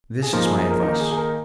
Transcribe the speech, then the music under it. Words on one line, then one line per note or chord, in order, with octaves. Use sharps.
This is my advice.
G#4
F3 A#3 D#4 A#4
G#4
G#4
A#4
D#3 A#3 D#4 A#4
G#4
G#4
A#4